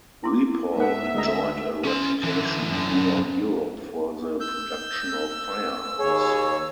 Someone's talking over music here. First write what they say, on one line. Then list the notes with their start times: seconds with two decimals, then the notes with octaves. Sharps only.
Ripoll enjoyed a reputation throughout Europe for the production of firearms.
0.24 E4 C6 D6
0.77 G#2 B3 E5 F#5
1.14 D2 G#3 D#5 A#5
1.85 C#4 C6
2.24 D3 E3
2.71 F#2 D3
4.40 E6 G6
5.99 D#2 G#4 C#5